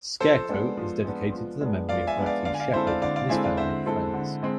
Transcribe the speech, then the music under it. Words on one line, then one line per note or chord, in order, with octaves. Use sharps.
"Scarecrow" is dedicated to the memory of Matthew Shepard, and his family and friends.
F3 A4 C5
G#3 B3 D4
F3
G#3 B3 D4
F3
G#3 B3 D4
F3 D5 F5
E5 G#5
G#3 B3 D4
D5 F5
D3 D5 F5
G#5
D5 F5
G#3 C4 E4 A4 C5 E5
D5 F5
D3 D5 F5
D5 F5
G#3 C4 E4 A4 E5 G#5
D5 F5
D3 C5 E5
G#3 C4 E4 A4
D3
G#3 C4